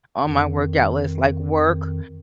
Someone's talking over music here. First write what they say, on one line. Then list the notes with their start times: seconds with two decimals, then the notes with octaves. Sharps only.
on my workout list, like, Work,
0.22 F2 D#3